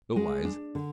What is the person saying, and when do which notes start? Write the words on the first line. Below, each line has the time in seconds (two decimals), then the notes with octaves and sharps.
No lies!
0.16 G#3
0.45 D4
0.75 D3